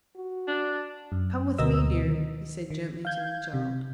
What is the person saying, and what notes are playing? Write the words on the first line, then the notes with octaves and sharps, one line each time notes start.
"Come with me, dear," he said gently to the child.
F#4
D4
F#2
D2 B2 B3 A#4 D#5 E6
D#3
D#3
F5 G6 G#6
C3